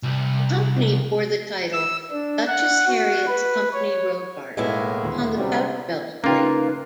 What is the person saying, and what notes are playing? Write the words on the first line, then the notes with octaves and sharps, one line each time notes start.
The company bore the title "Duchess Harriet's Company Rogart" upon the pouch-belt plate.
C2
E6
D4
F#5
F#4
B4
C#5
B1 A2 G#3 A#3 B3 E4
D#1 D2 C6
C3 G3 C4 C#4 F#4
C#3 A#3 D#4 F4 B4 G5